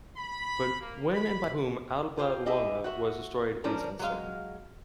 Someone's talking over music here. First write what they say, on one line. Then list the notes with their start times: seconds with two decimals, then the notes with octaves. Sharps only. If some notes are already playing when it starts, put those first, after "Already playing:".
But when and by whom Alba Longa was destroyed is uncertain.
0.16 B5
0.81 A#3
1.14 B5
2.17 F4 G4 C5 F5
2.46 E4 G4 G#4 D#5 E5
2.84 F#4 E5 F#5
3.64 F3 C#4 D4 A#4
3.99 F#3 G#3 F5